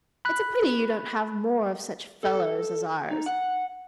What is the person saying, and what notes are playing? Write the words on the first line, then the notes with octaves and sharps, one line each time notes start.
'It's a pity you don't have more of such "fellows" as ours.
B5 F#6
A4
D#4
F#5